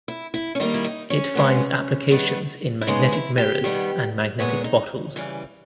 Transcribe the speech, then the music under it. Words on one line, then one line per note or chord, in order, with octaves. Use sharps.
It finds applications in magnetic mirrors and magnetic bottles.
E4
E4
C#4
D#3 G3 A#3 D#4
E4
D#4
C#4
C#3 G#3 B3
D#3 G3 B3
E4
C#3 G#3 B3 D#4
E4
G4
D#3 G3 B3
A#2 G#3 B3 C#5
D#4
C#3 E3 G3